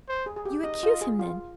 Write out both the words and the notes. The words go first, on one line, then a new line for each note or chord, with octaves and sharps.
You accuse him, then?
C5
G#4
G#4
G4
D#4 D#5
F4
G#4
F4